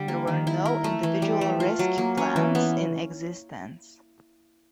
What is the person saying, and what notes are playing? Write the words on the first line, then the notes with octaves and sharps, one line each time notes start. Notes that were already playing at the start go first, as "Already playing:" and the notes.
There were no individual rescue plans in existence.
Already playing: D3 G3
A#3
D#3
E4
A#4
A3
E3
G3
A3
F4
F#3
A#3
C#4
E3
B3